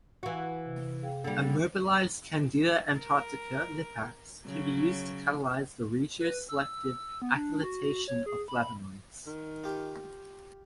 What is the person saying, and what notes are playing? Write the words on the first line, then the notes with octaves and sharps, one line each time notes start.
Immobilized "Candida antarctica" lipase can be used to catalyze the regioselective acylation of flavonoids.
E3 F#4 F5
C3
G#4 F5 G5
D3 G3 A#3
A#4
C#3 F#3
B4
E6
B3
D4
F#4
C#5
G#4
B5
D#3
F4 G4